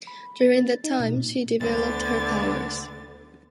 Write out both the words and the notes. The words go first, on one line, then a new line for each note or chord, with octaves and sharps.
During that time, she developed her powers.
B5
A6
D#4
B2
A#2
D2 D3 B3 A6